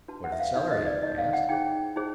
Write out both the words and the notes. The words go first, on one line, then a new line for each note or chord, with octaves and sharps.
"What is the salary?" I asked.
D4 F#4 B4 A5
F#5
E5
F5
D#4 G#4 C#5
D#5
D5
D#4 G#4 C#5 D#5
F5
F#5
D#4 G#4 C5 G5
D#4 G#4 C5